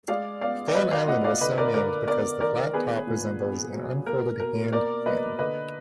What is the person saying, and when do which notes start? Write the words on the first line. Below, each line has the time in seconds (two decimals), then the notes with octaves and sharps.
Fan Island was so named because the flat top resembles an unfolded hand fan.
0.08 G#3 D5 F5
0.41 B3 D5 F5
0.68 D5
0.74 F#3 B4 D#5
0.91 D5 F5
1.08 A#2 D#5 F#5
1.24 D5 F5
1.41 D3 B4 D#5
1.58 A#4 D5
1.74 D3 A#4 D5
2.07 B3 A#4 D5
2.40 D#3 A#4 D5
2.73 B3 G#4 B4
3.07 A#2
3.40 B3
3.73 F#3
4.06 A#3 A#4
4.40 B2 A#4
4.72 A#3 A#4 D5
5.06 A#3 B4 D#5
5.39 D3 B4 D#5